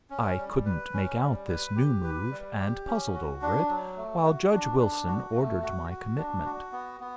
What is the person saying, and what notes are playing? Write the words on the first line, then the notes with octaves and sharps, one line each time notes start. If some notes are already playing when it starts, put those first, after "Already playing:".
I couldn't make out this new move, and puzzled over it, while Judge Wilson ordered my commitment.
C#4
G3
B4
C#4
G3
B4
G4
B4
G3
G4
C#4
F#4
D4
F#3
A3
F#4
D4
D4
F#4
A3
F#4
F#4
D4
F#4
B3
B3